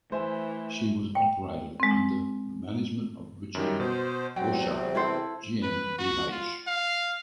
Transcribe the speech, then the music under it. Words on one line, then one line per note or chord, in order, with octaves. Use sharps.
She was operated under the management of Richard Borchard GmbH.
E3 A3 C5 E5 G#5
G5
G#3 C4
F#2 D#3 G3
B2 C5
E2 C3 F#3 C4 G5
E4 A4 C5
B4
F#4
F4
F5